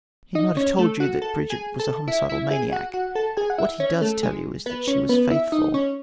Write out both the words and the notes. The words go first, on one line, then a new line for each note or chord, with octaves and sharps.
He might have told you that Bridget was a homicidal maniac; what he does tell you is that she was faithful.
D#4 D#5
C#4 C#5
A3 A4
F#4 F#5
A4 A5
G#4 G#5
A4 A5
E4 E5
E4 E5
G#4 G#5
F#4 F#5
F#4 F#5
A4 A5
G#4 G#5
F#5
E4 E5
C#4 C#5
A3 A4
G#3 G#4
B3 B4
C#4 C#5
B3 B4
E4 E5
D#4 D#5
C#4 C#5